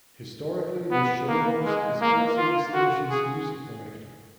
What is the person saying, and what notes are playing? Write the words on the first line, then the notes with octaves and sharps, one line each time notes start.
Historically, the show host is also the station's music director.
B3
A#3
G#3
A#3
F4
F#4
G#4